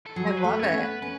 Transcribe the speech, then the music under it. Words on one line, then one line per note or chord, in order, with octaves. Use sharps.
I love it.
A4
F#3 G#4
B4
A3
C#4 C#5
B3
B4
C#4 B4